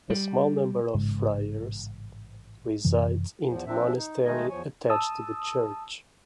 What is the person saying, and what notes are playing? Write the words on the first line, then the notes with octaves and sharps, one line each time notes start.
A small number of Friars reside in the monastery attached to the church.
G3
A1 G#2 C#3 G#3
F#2 C3 E3
E2 F3
F3 C4 D4 E5
D#4
D#3 G#3 A3 D#4 D#5 G#5
E2 F3 C#5 G#5
A5 D#6 E6